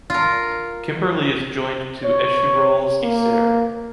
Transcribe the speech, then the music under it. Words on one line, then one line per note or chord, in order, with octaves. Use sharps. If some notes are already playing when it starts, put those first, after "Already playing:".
Kimberley is joined to Échirolles, Isère.
F4 A#4
C#5
A#3